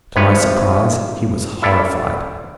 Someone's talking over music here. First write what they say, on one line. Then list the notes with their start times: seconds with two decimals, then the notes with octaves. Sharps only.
To my surprise he was horrified.
0.16 G#1 C3 F3 B4 C#5
1.62 E4 F4 A4 D5 F5